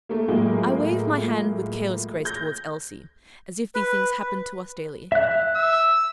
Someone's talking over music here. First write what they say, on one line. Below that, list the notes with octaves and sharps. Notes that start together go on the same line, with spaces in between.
I waved my hand with careless grace towards Elsie--as if these things happened to us daily.
A3 A#3
A2 F#3 G#3 A#3 F4
G6 A#6
B4
B4
E5 F#6
E6